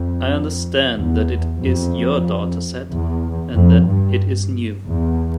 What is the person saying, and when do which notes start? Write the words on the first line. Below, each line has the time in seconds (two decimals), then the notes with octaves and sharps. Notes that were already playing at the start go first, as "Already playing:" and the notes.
I understand that it is your dataset, and that it is new.
Already playing: F2
0.96 E2
1.61 F2
2.91 E2
3.56 F2
3.88 G2
4.86 E2